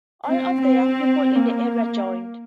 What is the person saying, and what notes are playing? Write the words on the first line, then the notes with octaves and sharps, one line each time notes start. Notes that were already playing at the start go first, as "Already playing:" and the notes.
All of the young people in the area joined.
C4
C4
A#3